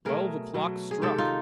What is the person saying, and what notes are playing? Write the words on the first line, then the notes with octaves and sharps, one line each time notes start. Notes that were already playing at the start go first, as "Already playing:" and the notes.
Twelve o'clock struck!
B2 F#3 A3 G#4 A#4
B2 F#3 A3
G#4
C3 D#3 G#3 G4 A4
D#4 F4